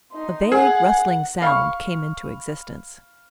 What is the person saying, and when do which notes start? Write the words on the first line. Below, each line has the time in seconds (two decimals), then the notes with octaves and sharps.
A vague rustling sound came into existence.
0.13 D#4 C6
0.52 G#4 F#5
1.42 F5 B5 C#6